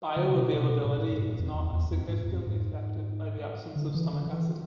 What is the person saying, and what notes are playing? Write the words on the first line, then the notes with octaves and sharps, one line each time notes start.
Bioavailability is not significantly affected by the absence of stomach acid.
D3
C3
B2
C3
B2
A2
A2
G#2
A2
F2
E2
E2
F2
G#2
F2
G#2
D3
E3
D3
D3
E3